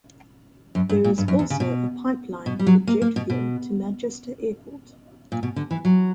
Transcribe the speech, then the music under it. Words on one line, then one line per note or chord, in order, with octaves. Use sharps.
There is also a pipeline for jet fuel to Manchester Airport.
F#2
G2
A#2
G2
F#2
E2
C#3
B2
B2
G3
F#3
A#3
A#3
B2
B2
A#2
B2
D3
E3
F#3